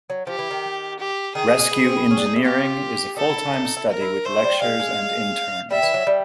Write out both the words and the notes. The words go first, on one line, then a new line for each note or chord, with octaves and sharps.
Rescue Engineering is a full-time study with lectures and interns.
F#3
F3 G4
E3
D#3
G4
D#3 G#4
F3
G#3
B3
C4
B3
C#4
D4
D#4
E4
F4 G4
D#4 A4
E4
D#4
D#4
E4
A#4
E4
A3 C5
G3
G#3 F5
G#3
G3 E5
E3
F#3
G3